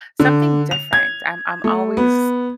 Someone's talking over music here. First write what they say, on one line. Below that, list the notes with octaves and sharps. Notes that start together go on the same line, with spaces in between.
Something different. I'm I'm always
D3
F7
G#6
A3
B3